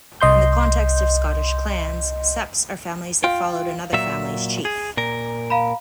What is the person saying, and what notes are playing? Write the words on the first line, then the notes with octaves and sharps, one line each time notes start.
In the context of Scottish clans, septs are families that followed another family's chief.
C2 D#5 C6 G6
F4 F5 G5
A#2 F#3 E5
G#4
A#2 A#4
F5 A#5 B5